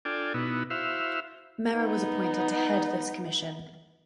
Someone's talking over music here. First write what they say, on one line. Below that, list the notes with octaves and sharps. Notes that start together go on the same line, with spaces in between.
Mehra was appointed to head this commission.
D4 F4 A4 D5 G5 G#5
B2 B3 D#4 E4 F#4
E4 F#4 C5 E5 F5
B3 D#4